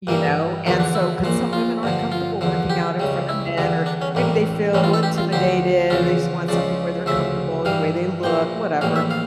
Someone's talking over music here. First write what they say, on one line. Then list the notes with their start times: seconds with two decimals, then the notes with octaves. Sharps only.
you know? And so 'cause some women aren't comfortable working out in front of men or maybe they feel intimidated, they just want something where they're comfortable, the way they look, whatever.
0.07 G2 E3 G3 A#3
0.67 E2 D3 F3 A#3
0.80 D4
0.95 E4
1.24 A#1 A#2 F3
1.53 F4
1.83 G2 D3 F3
2.12 F4
2.41 E2 D3 F3
2.70 G4
2.99 C#2 C#3 G3
3.29 E4
3.58 E2 D3 G3
3.86 D4
4.02 C#4
4.15 A1 A2 G3 A#3
4.73 A1 A2 E3 G3 C#4
4.84 F4
4.93 A4
5.03 G4
5.18 F4
5.32 D2 D3 F3 G4
5.90 E2 C#3 F3 F4
6.48 C#2 C#3 F3 D5
7.06 D2 C#3 F3 E5
7.65 G2 E3 G3 F5
8.23 A#1 A#2 F3 G5
8.81 A#1 A2 E3 G3 F5
8.96 E5
9.11 F5